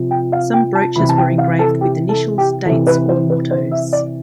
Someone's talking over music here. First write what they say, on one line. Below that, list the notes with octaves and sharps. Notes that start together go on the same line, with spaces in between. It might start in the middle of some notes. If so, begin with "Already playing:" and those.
Some brooches were engraved with initials, dates or mottoes.
Already playing: C3 F3
G5
F5
G5
A5
C3 E3 B5
A5
G5
F5
A4
G4
A4
G4
C3 E3 A4
B4
C5
B4
C5
E5
D5